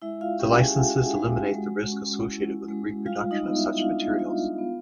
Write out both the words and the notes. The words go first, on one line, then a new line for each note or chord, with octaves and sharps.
The licenses eliminate the risk associated with the reproduction of such materials.
G#3 E4 E5
F4 F5
C#4 G4 G5
G#4 G#5
F4 F#4 F#5
G#3
G#3
C#4
E4
G#3
G3 F4 F5
D#4 D#5
B3
E4 E5
D4 F4 F5
F4
B3